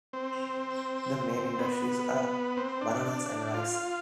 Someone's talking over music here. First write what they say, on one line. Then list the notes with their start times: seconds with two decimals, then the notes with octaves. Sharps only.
The main industries are bananas and rice.
0.13 C4
1.59 B3
2.57 C4
2.81 D4
3.54 F4